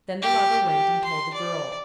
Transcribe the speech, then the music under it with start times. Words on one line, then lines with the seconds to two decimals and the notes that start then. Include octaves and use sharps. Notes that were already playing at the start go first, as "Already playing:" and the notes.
Then the Lover went and told the Girl.
0.22 G4
0.66 G4
1.04 C6
1.34 D5